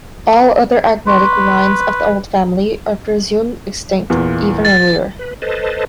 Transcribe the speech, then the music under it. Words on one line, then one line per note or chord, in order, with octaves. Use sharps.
All other agnatic lines of the old family are presumed extinct even earlier.
B4 C6 C#6
E2 A#2 E3
A6
B4
A4 B4 C5 D#5 A5